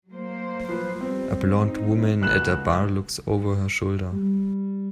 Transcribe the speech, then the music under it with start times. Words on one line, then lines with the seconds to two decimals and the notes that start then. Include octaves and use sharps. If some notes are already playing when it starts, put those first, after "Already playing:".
A blond woman at a bar looks over her shoulder.
0.11 F#3 A#3 C5
0.69 F3 B4
1.01 G3 C4
1.57 G2 D#4
2.21 C#2 A#3 F#4 F#6 E7
4.12 G3